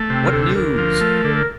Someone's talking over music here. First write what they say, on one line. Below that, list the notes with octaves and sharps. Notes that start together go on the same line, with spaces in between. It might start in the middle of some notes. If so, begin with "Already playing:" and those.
"What news?"
Already playing: A3
C3 C4
A#4
D2 A4
D2 A#4
F3
A3
D3 A4
A#4